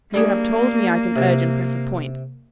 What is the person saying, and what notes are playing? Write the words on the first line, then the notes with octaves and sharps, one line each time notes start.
You have told me I can urge and press a point.
G3 A#3 D4 G#4
C3